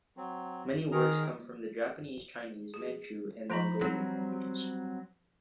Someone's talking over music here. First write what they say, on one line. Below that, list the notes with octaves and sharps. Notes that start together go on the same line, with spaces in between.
Many words come from the Japanese, Chinese, Manchu and Mongolian languages.
F#3 C4
D#3 G#4 A#4 A#5
G#4
F3 A#3 F4 C5 A#5 B5
F#3 G3 C4